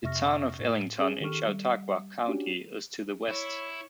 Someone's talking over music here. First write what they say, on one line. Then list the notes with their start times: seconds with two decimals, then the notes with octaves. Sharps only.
The town of Ellington in Chautauqua County is to the west.
0.03 F2 C3 E5 C#6 F6 A#6
0.59 A2
0.99 C#4 G#4
1.21 D#3 G4 A4 C#6 F6
1.47 G3
2.27 C#4 D4 F#4 G4
3.29 E4 C#5